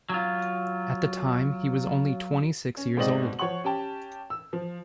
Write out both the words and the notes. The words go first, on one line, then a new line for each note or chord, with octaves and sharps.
At the time he was only twenty-six years old.
F#3 F4
C#4
G#2 B2 C4 D5 D#5 F#7
F3 C#5 F#5 C#6 F#7
C#4 G4 G5 A5
E6
F3